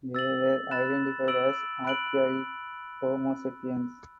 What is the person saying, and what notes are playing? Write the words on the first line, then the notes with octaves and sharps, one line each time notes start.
They were identified as archaic "Homo sapiens".
E6 A6 F#7
B5 F#6 A6 E7
E6 D7 F#7
B5 F#6 D7 F#7